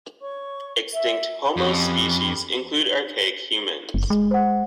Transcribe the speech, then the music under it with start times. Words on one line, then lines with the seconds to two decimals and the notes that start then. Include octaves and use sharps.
Extinct "Homo" species include archaic humans.
0.21 C#5 C#6
0.93 E5
1.57 F2 C#4 G4 B5
3.94 F#1
4.10 G#3
4.31 C5 F#5